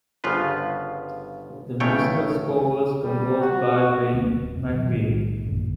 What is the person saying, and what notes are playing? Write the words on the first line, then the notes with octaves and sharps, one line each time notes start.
The musical score was composed by Ben McPeek.
G1 C#3 F3 F4 B4
A1 C#3 A3 C#5 G5
G3
F#4
D2 G#3 A#3
D1
E2 C3
B2 D#3 F3 F#3
B1 A2 D#3 G#3
A1 F#2 A#2 D3